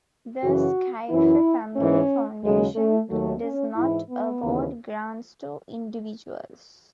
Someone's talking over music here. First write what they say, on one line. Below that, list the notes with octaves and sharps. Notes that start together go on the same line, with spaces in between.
The Scaife Family Foundation does not award grants to individuals.
F#2 C#3 E3 F#4
F#2 E3 E4
G#2 E3 C#4
D#2 C#3 F#3 G#3
A3
D#2 D#3 F#3 A3
C#4
G#2 E3 E4
B3
D#2 C#3 E3